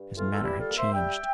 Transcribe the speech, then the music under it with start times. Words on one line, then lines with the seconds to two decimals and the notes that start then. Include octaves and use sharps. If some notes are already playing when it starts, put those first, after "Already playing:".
His manner had changed.
Already playing: G2
0.17 E3 F4 A4
0.32 A4
0.42 G3 E4 G4
0.60 F4 A4
0.68 A#3
0.77 C5 E5
0.94 G3 E5 G5